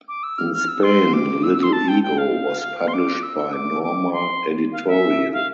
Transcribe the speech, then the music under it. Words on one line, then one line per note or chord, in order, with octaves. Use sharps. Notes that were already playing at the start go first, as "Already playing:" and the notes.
In Spain, Little Ego was published by Norma Editorial.
D6
E6
F6
F6
E6
C6
D6
E6
E6
C6
A5
G5
G5
F5
C6
D6
E6
E6
E6
D6
D6
C6
F5
E5
F5